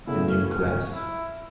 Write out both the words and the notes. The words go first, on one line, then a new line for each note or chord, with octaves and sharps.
The New Class?
E2 C#3 E3 A3 E4
C#4
C#4
E4